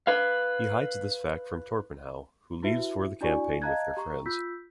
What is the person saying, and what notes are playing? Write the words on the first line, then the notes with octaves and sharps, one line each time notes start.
He hides this fact from Torpenhow, who leaves for the campaign with their friends.
B4 F5
E4 F#4 G4 B4 E5
D4 E4 F#4 D5 G#5 C#6
D#5 F5 A5 A#5 F#6 G#6
G4 A#5 C#6
F4 E6 G6 B6